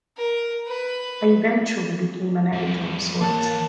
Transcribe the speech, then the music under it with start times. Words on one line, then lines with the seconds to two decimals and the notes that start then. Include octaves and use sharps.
I eventually became an editor of sorts.
0.17 A#4
0.67 B4
2.52 F2 G3
3.20 E3 A#3 C#5 A5